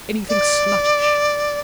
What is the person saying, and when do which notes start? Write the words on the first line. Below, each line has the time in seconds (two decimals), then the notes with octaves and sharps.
Anything sluttish?
0.29 D5